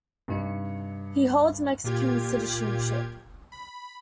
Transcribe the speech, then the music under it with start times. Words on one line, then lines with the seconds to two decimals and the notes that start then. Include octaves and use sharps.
He holds Mexican citizenship.
0.28 G2 C3 D#4 C#7
1.84 A#2 F4 G4 G#6
3.52 B5